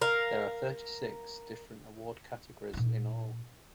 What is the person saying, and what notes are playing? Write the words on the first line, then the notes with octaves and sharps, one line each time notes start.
There are thirty-six different award categories in all.
A#4 F5
A#2 D#4